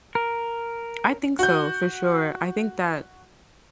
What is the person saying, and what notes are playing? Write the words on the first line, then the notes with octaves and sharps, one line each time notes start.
I think so for sure, I think that
A#4
F#4 G6